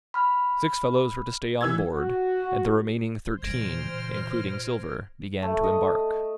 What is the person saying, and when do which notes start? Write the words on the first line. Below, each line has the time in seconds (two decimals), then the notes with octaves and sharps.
Six fellows were to stay on board, and the remaining thirteen, including Silver, began to embark.
0.14 B5 F6
1.61 E3 E6 G#6
1.94 F#4
3.42 A#2 C#3 E3 C5 F6 G#6 A#6 D7
5.42 A3
5.64 D#5